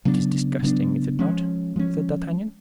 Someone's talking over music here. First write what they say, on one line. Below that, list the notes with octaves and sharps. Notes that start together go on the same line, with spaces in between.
"It is disgusting, is it not?" said D'Artagnan.
C#3 F#3 B3 D4
C#3 F#3 B3 D4
F3 G#3 C#4
F3 G#3 C#4